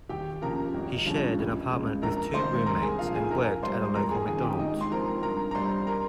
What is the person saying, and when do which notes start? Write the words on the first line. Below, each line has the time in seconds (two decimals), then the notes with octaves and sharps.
He shared an apartment with two roommates and worked at a local McDonald's.
0.09 D#2 G4 G5
0.42 C#3 F3 A#3 A#4 A#5
0.74 G#1
1.06 G2 F3 G#3 C#4
1.39 C#2
1.70 C#3 G#3
2.02 A#1 A#4 A#5
2.34 G#2 D#3 C5 C6
2.66 C2 A#4 A#5
2.82 G#4 G#5
2.98 A#2 F4 F5
3.02 F3
3.15 G#4 G#5
3.31 A#1 A#4 A#5
3.63 G#2 G3 C5 C6
3.95 F2 A#4 A#5
4.11 G#4 G#5
4.26 D#3 A#3 C#4 G#4 G#5
4.43 G4 G5
4.59 G#2 D#4 D#5
4.81 C6
4.91 F3 C4 A#4 A#5
5.23 G2 A#4 A#5
5.51 A#5
5.55 G3 C4 C5 C6
5.87 A#4 A#5